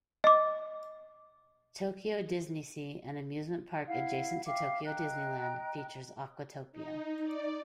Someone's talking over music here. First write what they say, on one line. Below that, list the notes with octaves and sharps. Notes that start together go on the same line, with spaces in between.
Tokyo DisneySea, an amusement park adjacent to Tokyo Disneyland, features Aquatopia.
D#5 D6
E4 F5 F#5
E5 F5 G5 D6
D#5 G5 A#5 F#6
D#4
D5